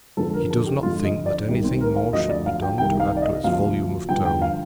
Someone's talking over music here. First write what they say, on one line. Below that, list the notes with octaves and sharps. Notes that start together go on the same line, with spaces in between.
He does not think that anything more should be done to add to its volume of tone.
F2 D3 F3 A4
A#4
A4
G4
F2 D3 F3 F4
D#5
D5
C2 C3 D#3 G4
C4
A#4
F5
D2 D3 F3 D#5
D5
F5
G5
C2 C3 D#3 G5
F5
D5
D#5
D2 C3 F3 F5
G2 D3 F3 G5
G5
F5